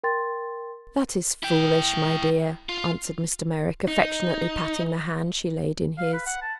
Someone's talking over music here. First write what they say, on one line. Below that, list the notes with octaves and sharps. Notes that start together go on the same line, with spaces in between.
"That is foolish, my dear," answered Mr. Merrick, affectionately patting the hand she laid in his.
A#4 G5 C6 A6
E4 G5
F4
D#4
F5
B4
F#5
A5